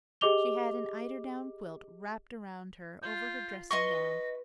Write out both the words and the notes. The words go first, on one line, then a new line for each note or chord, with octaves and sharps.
She had an eiderdown quilt wrapped around her over her dressing-gown.
G4 G#4 D#5 D6 F7 G7
F4 G6
B4 D#5 C6 C#6 A#6